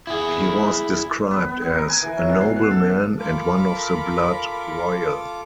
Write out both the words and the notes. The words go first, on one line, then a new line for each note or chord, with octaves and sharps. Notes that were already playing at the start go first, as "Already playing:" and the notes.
He was described as, "A noble man, and one of the blood royal".
E4 G#4
B3
B3
B3
A#4
G#5
E3
F#3
B2
F5
F#5
A4
F4 A4 A#4 B5 D6